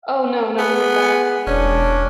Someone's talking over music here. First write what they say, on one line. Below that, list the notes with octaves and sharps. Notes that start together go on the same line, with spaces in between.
Oh, no, nothing like that!
B3 G#4
E1 C#4 D4